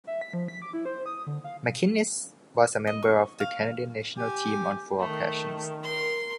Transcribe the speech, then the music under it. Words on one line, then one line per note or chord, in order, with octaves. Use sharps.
MacInnis was a member of the Canadian national team on four occasions.
E5
B6
F3
B6
D6
E4
C5
D#6
D3
F5
D#5
C#6
F5
G4 G#5
D#3 A3
A#4 C6